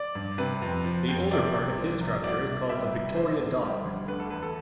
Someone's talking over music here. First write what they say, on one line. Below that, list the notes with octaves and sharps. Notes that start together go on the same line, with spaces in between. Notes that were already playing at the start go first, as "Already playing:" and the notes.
The older part of this structure is called the Victoria Dock.
Already playing: D5
G2
C3 B4
F2
F3
F2
C3 D5
C2
F3
C2
B2 D5
C2
G3 E5
C2
D3 C5
D2
G3
D2
D3 B4
A4
E2 B4
A4